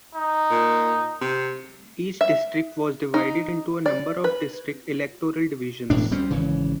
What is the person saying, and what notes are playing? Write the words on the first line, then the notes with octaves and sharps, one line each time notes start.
Each district was divided into a number of District Electoral Divisions.
D#4
A#2
C3
E5
D#4
D5
B4
E1 A2 D4
D2 G3 C4 C#4
G#1 C#3 E3